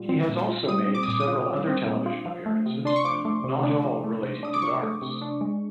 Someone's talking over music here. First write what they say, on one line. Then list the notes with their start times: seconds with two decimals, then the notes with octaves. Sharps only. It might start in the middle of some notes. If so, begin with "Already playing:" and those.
He has also made several other television appearances, not all relating to darts.
Already playing: A#2 G3 F4
0.09 C4
0.29 A#2
0.49 F4
0.68 G3 D#6
0.88 C4
0.95 D6
1.03 D#6
1.08 A#2 D6
1.20 D#6
1.28 F4
1.47 G3
1.67 C4
1.86 A#2
2.06 F4
2.26 F3
2.46 A3
2.66 C3
2.85 D4 C6
2.96 C#6
3.05 F3 D6
3.25 A3
3.44 C3
3.63 D4
3.84 F3
4.04 A3
4.23 C3
4.43 D4 D#6
4.54 D6
4.62 F3 C#6
4.82 A3
5.02 C3
5.21 D4
5.41 G#3